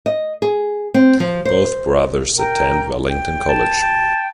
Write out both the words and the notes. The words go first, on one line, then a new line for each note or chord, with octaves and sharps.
Both brothers attended Wellington College.
D#5
G#4
C4
F3
C5
A#4 G5 A#5
G5
A5
G5